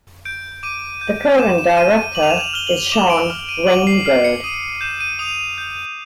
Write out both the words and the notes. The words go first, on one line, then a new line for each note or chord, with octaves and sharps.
The current director is Sean Rainbird.
G6 D7
D6 D#7
G6
D6 E7
E7
F6 D#7
D#7
D6 F#7
F7
E7
F7
F6 G7
F#7
F7
D6 E7
D7
F6
D#7
D6 F#7
C7
F6 C7
C#7
D#6 D#7
G6 E7
D#7
D#6 F7
G6